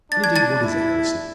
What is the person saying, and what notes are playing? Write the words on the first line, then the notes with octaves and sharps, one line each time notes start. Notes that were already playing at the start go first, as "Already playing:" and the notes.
And, indeed what is a heresy?
D4 A6
G#6
A5 A6
E4